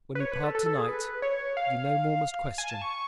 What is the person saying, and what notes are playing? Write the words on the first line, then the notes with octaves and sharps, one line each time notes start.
When we part to-night, you no more must question.
B4
C#5
B4
A4
A4
A4
G#4
B4
C#5
F5
G#5
A5
C#6